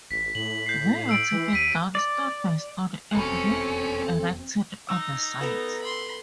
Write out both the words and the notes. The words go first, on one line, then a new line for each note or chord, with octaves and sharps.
They were taken down stone by stone and re-erected on the site.
A1 B6
A2 F#7
G6 C7
E6 D7 F#7
E3
D#2 B6 D#7
D5
F1 B1 E2 B2 C4 C#4 A4
D#4 E6
B3 A4 A#4
B5 C6